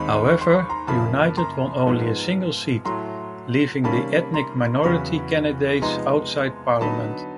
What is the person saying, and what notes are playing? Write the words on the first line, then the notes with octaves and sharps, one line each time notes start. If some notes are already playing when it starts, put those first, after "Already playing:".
However, United won only a single seat, leaving the Ethnic Minority candidates outside Parliament.
Already playing: D#2 D#3 G#3 C4 D#4 B5 C#6
C6
C#6
C6
C#6
A#5 C6
F#2 C#3 F3 A#3 A5 B5
A#5 C6
G#2 F3 G#3 B3
A2 F#3 A3 A#5 C6
C3 D#3 G3 A#3 C#4 A5 B5
A#5 C6
E2 C#3 F#3 B3 B5 C#6
C3 F3 G#3 B3 D#4 A#5 C6
D3 F#3 B3 D#4 A5 B5